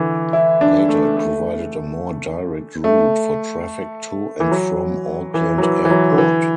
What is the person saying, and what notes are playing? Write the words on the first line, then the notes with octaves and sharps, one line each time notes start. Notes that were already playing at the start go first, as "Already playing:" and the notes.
Later, it provided a more direct route for traffic to and from Auckland Airport.
Already playing: D3 E3
E4
D4
A3
A3
A3
E3
F#3
E3
F#3
E3
E3
F#3
D3
E3